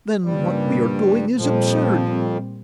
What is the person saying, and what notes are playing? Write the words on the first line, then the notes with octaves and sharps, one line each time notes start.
"Then what we are doing is absurd!"
G2 C#3 F3 G3 A#3
F2 A#2 F3 G3 C4